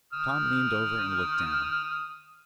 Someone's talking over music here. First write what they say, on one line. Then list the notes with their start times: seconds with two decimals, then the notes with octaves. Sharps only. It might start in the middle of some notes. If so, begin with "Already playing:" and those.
Tom leaned over and looked down.
0.13 D#6 F6